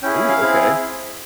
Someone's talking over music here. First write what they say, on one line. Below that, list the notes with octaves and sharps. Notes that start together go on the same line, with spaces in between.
Ooh, okay.
C#4 E4 G#4 G5
F5
C4 E4 G#4